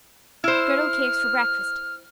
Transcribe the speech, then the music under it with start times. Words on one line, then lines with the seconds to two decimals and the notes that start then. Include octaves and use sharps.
Gridel cakes for brekfast.
0.44 E4 C5 F6